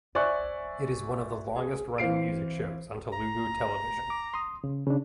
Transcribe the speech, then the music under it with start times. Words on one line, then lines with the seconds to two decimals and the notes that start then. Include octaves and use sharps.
It is one of the longest running music shows on Telugu Television.
0.15 C5 D5 E5 G#5 C#6 F#6
1.56 G#4
1.98 E3 C4 F5 C7 D7
3.13 A#5
4.10 D6
4.34 C6 D#6
4.64 C#3
4.86 C#3 D4